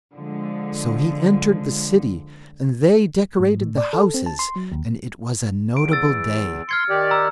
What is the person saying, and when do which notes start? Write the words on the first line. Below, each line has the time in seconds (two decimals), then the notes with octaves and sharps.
So he entered the city, and they decorated the houses and it was a notable day.
0.13 D3 F3 G#3
3.40 G#2
3.61 A2
3.78 D5
3.93 A4
4.14 C4
4.26 A5
4.39 C6
4.56 F#3
4.72 D#2
5.77 E2 D7
5.92 E6 A6
6.69 C6 F6 G#6 C#7
6.90 D#3 G4 D5
7.11 A#5 E6